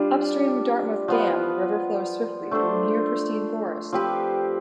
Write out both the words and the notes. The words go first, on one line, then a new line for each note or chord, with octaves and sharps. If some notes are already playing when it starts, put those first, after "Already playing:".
Upstream of Dartmouth Dam, the river flows swiftly through near-pristine forest.
Already playing: G3 D4 F4
F3 B3 F4 B4
A3 D4 A4 C5
F3 C4 G4 B4